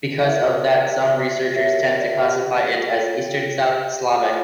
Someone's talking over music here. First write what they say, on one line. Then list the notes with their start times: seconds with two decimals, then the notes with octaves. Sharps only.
Because of that some researchers tend to classify it as Eastern South Slavic.
0.22 E4 A#4 C#5 E5
0.35 D5
0.60 D5
0.89 G4 D5 E5
1.55 G4 A#4 C#5 E5
2.01 D5
2.12 E5
2.23 G4 D5 F5
2.90 F4 A4 C#5 G5
3.57 G4 D5
4.24 F4 C#5 G5